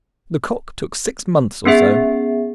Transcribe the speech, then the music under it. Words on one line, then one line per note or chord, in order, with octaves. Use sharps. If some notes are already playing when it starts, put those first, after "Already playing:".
Lecoq took six months or so.
B3 C#4 G#4 E5 C7